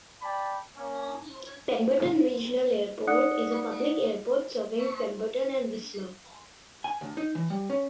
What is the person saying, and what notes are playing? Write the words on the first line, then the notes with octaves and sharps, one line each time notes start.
Pemberton Regional Airport is a public airport serving Pemberton and Whistler.
D5 G5 A5 B5
A#3 C#4
D#4 D5 F#5 D#6 F#6 C#7
G#5
D2
D#4
E3
G3
C#4